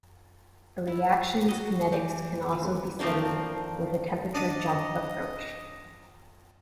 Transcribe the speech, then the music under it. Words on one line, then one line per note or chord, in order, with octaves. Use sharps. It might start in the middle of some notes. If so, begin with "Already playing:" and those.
A reaction's kinetics can also be studied with a temperature jump approach.
E4
F#4 D#5
E3 G4
F3
F3 A3 A#3 C4 D4
D4 D#5 A5 D#6